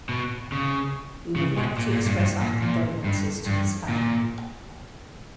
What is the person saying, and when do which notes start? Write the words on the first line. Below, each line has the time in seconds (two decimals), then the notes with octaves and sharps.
We would like to express our condolences to his family.
0.09 B2
0.52 C#3
1.36 C#3
1.57 B2
1.78 A#2
1.92 A#2
2.06 G2
2.19 G2
2.41 A#2
2.62 A#2
3.04 G2
3.46 G2
3.88 A#2